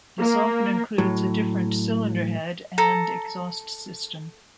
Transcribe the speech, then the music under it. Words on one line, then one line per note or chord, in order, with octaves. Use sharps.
This often includes a different cylinder head and exhaust system.
A#3 A#4
A2 F#3
A4 A#5